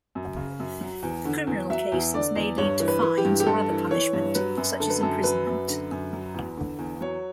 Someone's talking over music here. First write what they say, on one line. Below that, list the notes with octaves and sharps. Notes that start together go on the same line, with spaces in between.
Criminal cases may lead to fines or other punishment, such as imprisonment.
F#2
C#3
F#2
F#3
E2
D3
E2
F#3 E5
E2
D3 D5
E2
G2 C#5
E3
B4
E3
G4
G2
G4
G2 A4
E3
E3 C#5
G2
F#3 B4
F#2
D3 A4
B4
F#2 A4
F#3 B4
F#2
D3
F#2
F#3
E2
D3
E2
F#3 C#5